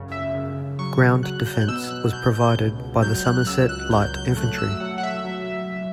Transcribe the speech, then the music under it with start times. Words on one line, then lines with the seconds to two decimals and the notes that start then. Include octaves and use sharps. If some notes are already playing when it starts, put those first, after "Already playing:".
Ground defence was provided by the Somerset Light Infantry.
Already playing: F#2 C#3
0.12 E5
0.35 C#3
0.79 F#3 C#6
1.23 F#3 F#6
1.46 G6
1.61 F#6
1.68 B2 E6
1.91 F#6
2.13 B2 G6
2.35 G6
2.57 C#2
3.02 F#3 G6
3.25 F#6
3.46 C#2 E6
3.69 F#6
3.91 F#3 G6
4.14 G6
4.36 A3 F#6
4.58 E6
4.80 F#3 F#5
4.98 F#5
5.03 E5
5.25 F#3